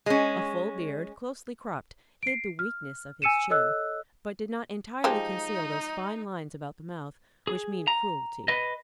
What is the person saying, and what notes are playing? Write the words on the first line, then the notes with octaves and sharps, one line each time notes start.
A full beard, closely cropped, hid the weakness of his chin, but did not entirely conceal those fine lines about the mouth which mean cruelty.
G#3 C#4
C7 D7
F6
G#5 E6 C#7 D#7 E7
A4 C#5 D#5 E6 F#6
F3 G#3 D#4 G4
G#4
A#5
B4 D#5